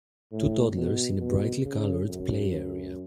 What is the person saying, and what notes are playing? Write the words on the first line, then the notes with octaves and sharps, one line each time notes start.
Two toddlers in a brightly colored play area.
A2
B2
B2
C#3
F#2